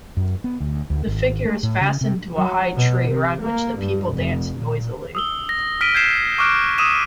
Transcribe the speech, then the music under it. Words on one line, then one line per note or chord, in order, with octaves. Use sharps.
The figure is fastened to a high tree around which the people dance noisily.
F#2
B3
D2
D2
G#1
A3
A2
C#3
C3
F#3
B2
C3
A#3
G2
F1
A#2
D#6 E6 G7
A#6
F6 B6 D7 D#7 G7
G6 G#6 B6 C7 E7
C#6 D6 F6 F#6 D7
D#6 E6 D#7 E7